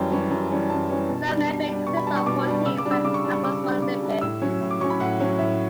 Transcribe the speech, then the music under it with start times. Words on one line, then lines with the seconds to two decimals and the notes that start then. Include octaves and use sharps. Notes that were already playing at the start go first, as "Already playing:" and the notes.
A cell membrane consists of proteins and phospholipids.
Already playing: F#2 E3 G3 C#4 G5 A5
0.11 E3 G3 C#4
0.31 F#2
0.50 E3 G3 C#4
0.70 F#2 A5
0.89 E3 G3 C#4
1.09 B2
1.29 G3 D4
1.48 B2
1.68 G3 D4
1.87 B2 C#6
1.97 B5
2.07 G3 D4 A5
2.16 C#6
2.26 B2 D6
2.46 G3 D4
2.65 C#3 E6
2.78 D6
2.85 G3 D4
2.91 E6
3.04 C#3 D6
3.14 C#6
3.24 G3 D4
3.34 C#6
3.44 C#3 D6
3.63 G3 D4
3.82 C#3 D6
4.02 G3 D4
4.21 A2 E6
4.42 F#3 C#4
4.61 A2
4.71 D6
4.80 F#3 C#4 C#6
4.90 B5
5.00 A2 F#5
5.20 F#3 C#4
5.39 A2 E5